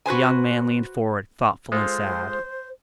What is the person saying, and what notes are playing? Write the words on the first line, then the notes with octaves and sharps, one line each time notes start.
The young man leaned forward, thoughtful and sad.
F#4 B4 C5 G#5
G#3 F4 A4 C5